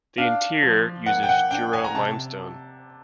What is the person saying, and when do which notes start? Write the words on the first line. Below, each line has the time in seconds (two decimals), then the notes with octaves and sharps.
The interior uses Jura limestone.
0.18 D4 F5
0.62 F3
1.06 A#3 F#5
1.23 G5
1.29 F#5
1.51 D4 G5
1.73 G#5
1.84 A#5
1.95 C3 A5